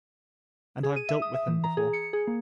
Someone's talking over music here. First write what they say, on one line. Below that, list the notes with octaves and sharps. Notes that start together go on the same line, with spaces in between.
And I have dealt with him before.
G#4
D#7
E5
D#6
E5
E3
A#5
G#4
C#7
G#4
A#3